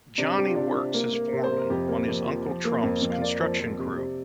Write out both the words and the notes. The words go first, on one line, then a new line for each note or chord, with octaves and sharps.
Johnnie works as foreman on his uncle Trump's construction crew.
C3 D4
C3 G4
F4
C3 D4
C3
A#3
A#3
C3
C5
C3
A#4
F2 G4
A#3
F2
F3
F3
A#3
F2
F2
F5
A#3 D5
F3
F3
C3
C3